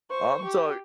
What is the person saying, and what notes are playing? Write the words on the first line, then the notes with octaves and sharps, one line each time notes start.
I'm sorry
C5 C#6
G4